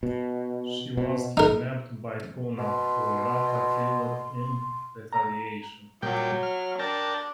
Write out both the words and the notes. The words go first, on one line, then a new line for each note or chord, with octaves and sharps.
She was kidnapped by Puna, whom Rata killed in retaliation.
B2
B2
D#4 A#4
B2 C6
A#5
A#2 F#3 G3 G5
F6
D4 A#4 G5 A5